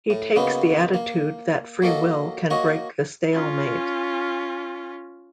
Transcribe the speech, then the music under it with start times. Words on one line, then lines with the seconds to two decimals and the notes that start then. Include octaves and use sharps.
He takes the attitude that free will can break the stalemate.
0.10 A2
0.36 C#3 F#3 A#3 B3 D#4
0.94 A#3
1.82 F#3 A#3 A4 D#5
2.50 A#3 F#4 C#5 D#5
3.32 C#4 F4